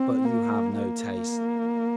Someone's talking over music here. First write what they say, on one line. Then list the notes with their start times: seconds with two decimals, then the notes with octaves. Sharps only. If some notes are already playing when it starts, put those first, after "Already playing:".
But you have no taste!
Already playing: C4
0.24 A#3
0.78 A#3